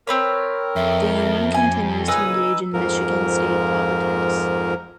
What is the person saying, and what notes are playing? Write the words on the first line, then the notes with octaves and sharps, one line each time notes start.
The union continues to engage in Michigan state politics.
C4 A#4 B4 C#5
F2 E5
G#5
A#2 C#3 D#4 B4 G#5 E6
F2 G#2 F3 A#4